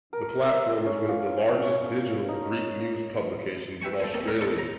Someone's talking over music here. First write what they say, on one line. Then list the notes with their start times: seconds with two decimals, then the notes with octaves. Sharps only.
The platform is one of the largest digital Greek news publications in Australia.
0.13 A#4
0.85 C#4
1.08 F4
1.57 C#4
2.29 D#4
3.81 B4 E5 G5 G#5 C#6
4.00 A4 C5 G#5
4.14 A#3 C4 C#4 D#4
4.28 C#4 E4 A#4
4.41 B1 G2 D#4 A4 C#6 D#6
4.58 A#5